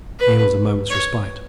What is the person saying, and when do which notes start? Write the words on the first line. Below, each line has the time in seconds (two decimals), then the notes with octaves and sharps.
Here was a moment's respite.
0.19 B4
0.90 C#5